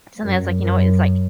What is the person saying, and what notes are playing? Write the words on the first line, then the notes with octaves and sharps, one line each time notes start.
sometimes, like, you know, it's, like,
F#2
F#2